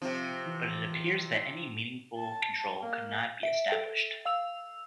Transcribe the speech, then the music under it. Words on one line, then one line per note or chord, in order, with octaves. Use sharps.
But it appears that any meaningful control could not be established.
C3 F3 C4
E3
A5
A#3
E5 D7
A4
F5 E6 F7